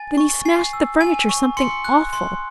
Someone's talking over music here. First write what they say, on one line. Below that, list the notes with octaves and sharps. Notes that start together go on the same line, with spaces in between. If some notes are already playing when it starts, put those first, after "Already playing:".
Then he smashed the furniture something awful.
Already playing: G#5 A6
C#6
G#5 C7
E6
G#5
C#6
C6 C#7
F#6
C6